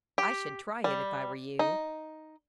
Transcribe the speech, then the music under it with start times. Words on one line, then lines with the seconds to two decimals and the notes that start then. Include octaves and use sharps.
I should try it if I were you.
0.18 G4
0.84 G3
1.59 D#4